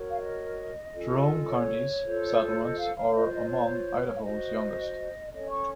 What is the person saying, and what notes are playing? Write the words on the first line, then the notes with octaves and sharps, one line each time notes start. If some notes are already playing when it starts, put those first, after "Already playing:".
Jerome county's settlements are among Idaho's youngest.
Already playing: F#4 A#4 C#5
F5
D#5
C#4 F4 A4
C#5
F4 A4 C5
C#5
D#5
F5
F5
F4 C5 D#5
D#5
C#5
F5
F#4 C5 D#5
C#4 A4 C#5 D#5
C#6